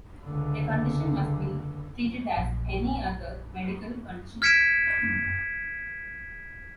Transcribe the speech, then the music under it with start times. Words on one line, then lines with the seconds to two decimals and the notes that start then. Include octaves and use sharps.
Their condition must be treated as any other medical condition.
0.24 C#2 D3
2.37 A#1
4.42 F6 G#6 B6 C#7 D7 E7